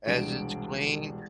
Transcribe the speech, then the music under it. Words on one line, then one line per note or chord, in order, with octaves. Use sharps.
As it's clean,
E1 C2 D4 D7